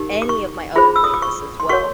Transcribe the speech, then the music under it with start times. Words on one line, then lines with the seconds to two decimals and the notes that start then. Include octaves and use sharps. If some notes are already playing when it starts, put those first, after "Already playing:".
any of my other playlists as well,
Already playing: D#4 G4 A#4
0.22 D6
0.29 C#6
0.76 F4 G#4 C5 B5
0.96 E6
1.04 D#6
1.14 D6
1.22 C#6
1.60 C6
1.69 F#4 A#4 C#5 C#6